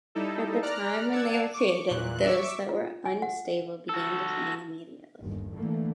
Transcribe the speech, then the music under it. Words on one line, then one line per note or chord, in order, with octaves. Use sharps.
At the time when they were created, those that were unstable began decaying immediately.
G3 D#4 E4 A4
D5 A#5 F6 F#6
D5 F#5 A5 E6 G#6
C#6 D6
E2 A#2 F#6
E5 C#6 D6 E6
F4
G#5
F#5
F#4 A4
G1 D#2
D3 E3 A3 A#3